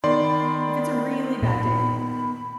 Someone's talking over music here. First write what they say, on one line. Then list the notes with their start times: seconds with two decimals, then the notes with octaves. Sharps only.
If it's a really bad day
0.04 D#3 B3 D5 B5 C6
1.42 A#2 B5